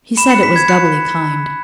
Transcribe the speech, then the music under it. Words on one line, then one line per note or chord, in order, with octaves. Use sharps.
He said it was doubly kind.
B5 E7
F#6 C#7
B6
B5 G#6
F#6 C#7